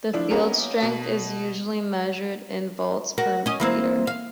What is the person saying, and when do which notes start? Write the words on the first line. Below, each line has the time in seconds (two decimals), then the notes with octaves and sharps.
The field strength is usually measured in volts per meter.
0.13 F3 D4 E4
0.31 A#3 B3 C#4 G4 A#4
0.82 B2
3.18 F#4 A#4
3.46 C#4 D#5
3.60 E3 A#3 C4
4.07 F5